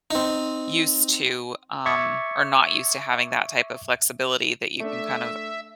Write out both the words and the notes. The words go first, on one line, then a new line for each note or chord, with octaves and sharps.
used to, um, or not used to having that type of flexibility that you can kind of
C4 D#4
E5 C#6 D6 G#6 A6 C#7
A3 D4 E5